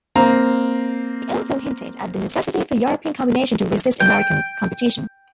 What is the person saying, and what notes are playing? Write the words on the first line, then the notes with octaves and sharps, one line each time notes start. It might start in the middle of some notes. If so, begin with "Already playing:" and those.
He also hinted at the necessity for European combination to resist American competition.
A#3 C4 A#5
G5